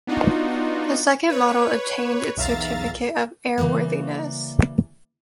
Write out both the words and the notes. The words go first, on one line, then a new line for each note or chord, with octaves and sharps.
This second model obtained its certificate of airworthiness.
B3 D4 D#4 F4 F#4
B4 C#5
B1 E2 E5 F5 A#5 A6
C#3 E3 F3 G3 A#3